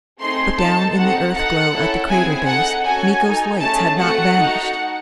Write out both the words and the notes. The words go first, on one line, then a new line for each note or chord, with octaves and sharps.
But down in the Earth glow at the crater base, Miko's lights had not vanished!
A3 C4 D#4 G#4 C6
C4 D#4 A4 A5
C4 D#4 F#4 A4 F#5
D#4 A4 F#5
C#4 E4 A4
C4 E4 G#4 G#5
D#4 A4 F#5
C#4 F#4 A4 G#5
D#4 A4
A3 C#4 G#4 A5
A3 C4 F#4 A4 F#5
D#4 F#4 A4